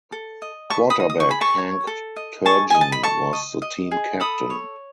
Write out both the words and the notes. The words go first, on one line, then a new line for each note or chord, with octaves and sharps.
Quarterback Hank Turgeon was the team captain.
A4
D#5
B4 A5 C#6
B5 D#6
D#5
D#6
C#6
G#4 B5
A5 C#6
C#5
A4
D#5
G#4 A5 C#6
D#5 G#5
A5
B5
A4 A5 C#6
D#5
D#5
G#4
A4 B5 D#6
C#5